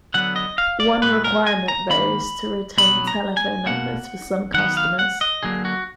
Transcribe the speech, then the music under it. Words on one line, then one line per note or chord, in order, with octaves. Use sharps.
One requirement though is to retain telephone numbers for some customers.
D3 F#3 B3 F#5
D#5
F5
D5
A#2 G#3 B3 B4
A#4
G#5
A#5
D#3 A#3 B5
B2 F#3 B3 B5
A#5
G#5
B2 A#3 F#5
D#3 F#3 B3 F#5
F5
F#5
D#5
D3 F#3 A#3 G#4
F#4